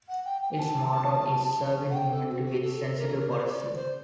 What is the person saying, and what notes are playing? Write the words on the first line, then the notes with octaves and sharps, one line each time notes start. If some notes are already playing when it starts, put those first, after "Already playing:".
Its motto is Serving Humanity with Sensitive Policing.
F#5
G5
G5
G5
A5
F#5
G5
A4
F#4
F#4
A4
A#4
A#4
C5
C5
D5
C5